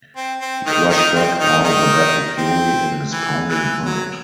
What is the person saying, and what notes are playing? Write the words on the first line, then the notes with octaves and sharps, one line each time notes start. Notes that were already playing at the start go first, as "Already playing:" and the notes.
He crushed back all the battle-fury in his pounding heart.
C4
C4
D#3 D#4
D#3 D#4
C4
D#3 D#4
D#3 D#4
C4
E3
E3
F#3